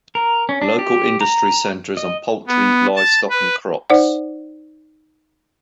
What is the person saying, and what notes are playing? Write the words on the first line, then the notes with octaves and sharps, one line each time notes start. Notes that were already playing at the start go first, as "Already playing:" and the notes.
Local industry centers on poultry, livestock and crops.
A#4
C#4
D4
G4
A#5
D#5
B3
A5
B4
D#4 C5 D5 F#5